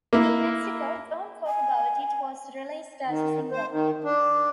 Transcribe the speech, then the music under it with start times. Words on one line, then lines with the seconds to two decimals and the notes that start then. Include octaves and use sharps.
In Mexico, "Don't Talk About It" was released as a single.
0.13 A#3 E4
1.47 G#5
3.06 D#3
3.52 C5
3.71 D#3
4.04 D4